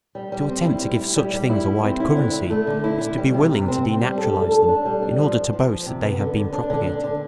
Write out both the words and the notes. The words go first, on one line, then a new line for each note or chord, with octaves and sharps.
To attempt to give such things a wide currency is to be willing to denaturalise them in order to boast that they have been propagated.
G3
G3
C4
E4
G3
E4
G3
G3
E4
G3
C4
E4
D3
E4
A3
D3
E4
D3
G3
C3
C3
C4
C4
G3
A4
A4
A4
D4
G3
D4
F3
F3
F3
F3
C3
B3
D3
D3
D4
D3
D4
D3